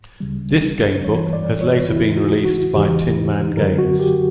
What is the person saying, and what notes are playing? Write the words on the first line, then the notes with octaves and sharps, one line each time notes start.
This gamebook has later been released by Tin Man Games.
D2 C#3 G3
G2 E3 G3 C#5
D5
C#5
E2 C#3 E3 E4
F#4
F#4
E2 C#3 E3 G4
F#2 D3 F#3 A#4
F#4
G4